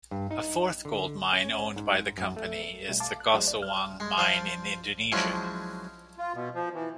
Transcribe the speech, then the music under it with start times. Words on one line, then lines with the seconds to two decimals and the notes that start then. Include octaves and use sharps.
A fourth gold mine owned by the company is the Gosowong Mine in Indonesia.
0.11 G2
0.31 D#4
0.85 D3
1.33 C#4
1.76 G#2
2.18 F#2
2.36 A3
2.89 B2 G3 A3
3.00 F5 A5 D6
3.20 F#6
3.34 F#3 G#3 A3 D4 C5
3.47 D5
3.62 F6
4.00 G#3
4.18 F3 F4 D5
5.12 F3 F#3 G#3 C#4 D4 E4
6.18 F4
6.34 B2
6.55 F3
6.74 E3